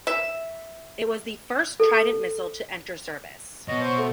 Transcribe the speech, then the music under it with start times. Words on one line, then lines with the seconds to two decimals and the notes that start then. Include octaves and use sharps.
It was the first Trident missile to enter service.
0.07 E5
1.80 A4
3.68 B2 C#5 D#5
3.80 C5 C#5
3.98 A3